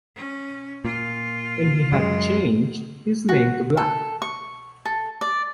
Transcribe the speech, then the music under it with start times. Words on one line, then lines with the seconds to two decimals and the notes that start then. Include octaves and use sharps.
And he had changed his name to Black.
0.16 C#4
0.85 A#2 F4
1.92 F#2 G#3
3.29 F#4
3.77 A4
4.22 C#6
4.85 A4
5.21 D5